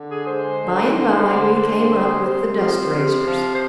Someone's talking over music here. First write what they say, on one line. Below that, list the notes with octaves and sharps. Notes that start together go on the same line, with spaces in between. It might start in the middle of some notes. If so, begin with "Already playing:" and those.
By and by we came up with the dust-raisers.
Already playing: D3
G#4
G#3 C5
D3
D3
D3
D3
G#3
C3 C5
F3
C3
F3
C5